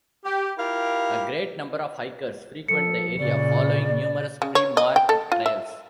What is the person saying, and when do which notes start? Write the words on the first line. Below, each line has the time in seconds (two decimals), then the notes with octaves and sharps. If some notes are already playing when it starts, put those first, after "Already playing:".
A great number of hikers frequent the area, following numerous pre-marked trails.
0.25 G4
0.58 E4 F4 G4 A#4 F5
2.68 F3 A4 C#7
3.19 A#2 C#3 D5
4.42 C#3
4.55 C#5
4.77 D#5
4.96 G5
5.09 A4
5.32 F4
5.46 E5